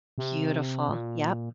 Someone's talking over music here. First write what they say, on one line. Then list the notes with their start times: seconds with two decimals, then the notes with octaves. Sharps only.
Beautiful, yep.
0.18 C3
0.89 A#2